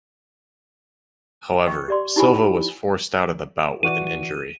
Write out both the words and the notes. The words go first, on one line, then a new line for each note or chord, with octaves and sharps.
However, Silva was forced out of the bout with an injury.
D#5 G5 C#6
G4 D5 C6
D#4 E4 G4 C5 G#5 B5
G5
E3 F#4 D5 D#7